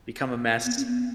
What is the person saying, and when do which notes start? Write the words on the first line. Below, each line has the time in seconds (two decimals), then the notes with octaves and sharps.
become a mess.
0.66 B3
0.77 C#4
0.87 B3